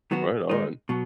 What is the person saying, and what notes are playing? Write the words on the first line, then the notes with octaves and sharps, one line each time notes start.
Right on.
D#3 F#3 B3 F#4
D#3 G#3 D#4
B2 F#3